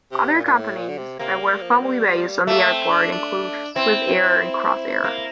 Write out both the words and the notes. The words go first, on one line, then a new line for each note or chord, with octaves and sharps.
Other companies that were formerly based on the airport include Swissair and Crossair.
C3
A#2
A#2
A2
A#2
D3
C3
C3 A#3
G3
F3
G3
A3 A#3
C4
D4
D4
C4 E4
E4
E4
E4
A#3